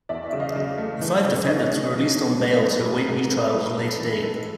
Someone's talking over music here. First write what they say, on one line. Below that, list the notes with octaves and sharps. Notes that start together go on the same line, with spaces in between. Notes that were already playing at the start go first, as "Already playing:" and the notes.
The five defendants were released on bail to await retrial at a later date.
E2 D5 E5
C#3 E5
D#5 F5
C#3
A3
E3
C#3
E3 C#5 D#5
C#3
B1
B1
G#3
B1 C5
B4
A3 G#4 A#4
G#2 G#4 A#4
F3 A4 B4
F3 B4
A#4
G#3 A4 B4
E3
G#3 A4